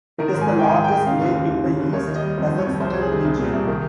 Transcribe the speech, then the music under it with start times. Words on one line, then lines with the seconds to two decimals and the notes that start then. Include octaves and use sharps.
It is the largest lake in the East Kazakhstan Region.
0.19 D#3 A#4
0.34 G#2
0.41 G#5
0.48 G#2
0.59 G5
0.63 D#3 G#5
0.77 G#2
0.84 G5
0.92 G#2
1.06 C#3 F5
1.21 D#2
1.35 D#2
1.50 D#2
1.65 C#3
1.79 D#2
1.93 D#3 C#5
2.08 D#3
2.16 D#5
2.23 G3
2.38 F2 C5
2.52 G3
2.58 C#5
2.66 F2
2.80 C2 C5
2.95 G3
3.02 G#4
3.10 G3
3.25 C2
3.39 A#2
3.53 C2
3.67 D#3